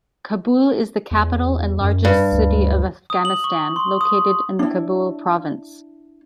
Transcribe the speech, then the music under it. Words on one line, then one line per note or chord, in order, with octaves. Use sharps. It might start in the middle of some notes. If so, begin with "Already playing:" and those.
Kabul is the capital and largest city of Afghanistan, located in the Kabul Province.
E2
F#2
G2
D2
D#6
F#7
C#6
C6
D#6
D4 E4